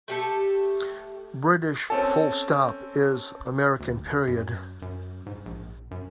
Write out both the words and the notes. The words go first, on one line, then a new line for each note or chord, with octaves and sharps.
British full stop is American period.
A3 G4 A4
C4 C#4 A4
D2
F#2
F#2
G#2
A#1
F#2